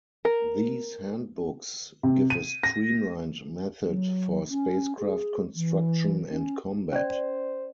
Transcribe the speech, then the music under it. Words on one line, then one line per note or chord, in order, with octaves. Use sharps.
These handbooks give a streamlined method for spacecraft construction and combat.
A#4
C3
D#7
A#6
F#3
C#4
G#4
E3
C#4
C#4 C5 D5